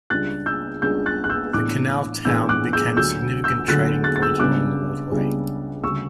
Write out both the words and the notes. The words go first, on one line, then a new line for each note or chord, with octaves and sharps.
The canal town became a significant trading point along the waterway.
C#2 C#3 G3 D4 F#6 A6
E6 G6
C#2 C#3 G3 D4 E6 G6
F#6 A6
F#6
E6 G6
A2 E3 B3 D4 D6 F#6
A2 E3 B3 D4 E6 G6
D6 F#6
E6 G6
D2 D3 F#3 E6 G6
E6 G6
D2 D3 F#3 F#6 A6
F#6 A6
A6
E6 G6
C#2 C#3 G3 B3 D4 D6 F#6
C#2 C#3 G3 B3 D4
D2 C#3 G3 C#6 E6